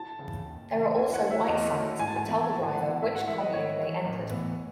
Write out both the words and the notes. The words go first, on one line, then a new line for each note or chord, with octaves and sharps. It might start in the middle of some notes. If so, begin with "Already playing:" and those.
There are also white signs that tell the driver which commune they entered.
Already playing: A5
C#3 E3
D#2
C#3 E3
E2 G#5
F#5
D#3 A3 C#4 F#4
E5
E2 D#5
D#3 A3 C#4 F#4
G#2 G#5
A5
G#5
E3 B3 E4
G#2 A5
G#5
E3 B3 E4 F#5
F#5
G#2 E5
F#5
E3 G#3 E5
D#5
G#2 C#5
E3 G#3
A1
A2 E3 B3